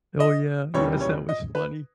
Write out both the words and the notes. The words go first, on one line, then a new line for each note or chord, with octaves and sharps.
Oh, yeah, yes, that was funny.
D#5
E1 D#2 C#3 E3 G3 C#5
C#5
D#5
B4